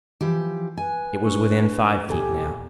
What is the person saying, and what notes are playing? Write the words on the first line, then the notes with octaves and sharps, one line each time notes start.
It was within five feet now.
E3 F3 G4
B4 G#5
A3 D4 C#6
C#2 A#2 G4 A4 G#5